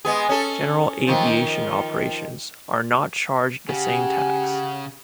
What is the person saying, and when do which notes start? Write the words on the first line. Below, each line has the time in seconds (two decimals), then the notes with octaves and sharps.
General aviation operations are not charged the same tax.
0.05 G#3 B3 G#4
0.29 C#4 A4
1.07 D#3 F3
3.69 C#3 G4 F#5 G#5